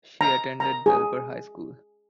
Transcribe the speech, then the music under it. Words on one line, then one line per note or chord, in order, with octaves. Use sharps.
She attended Belper High School.
A#5
A#5
G#4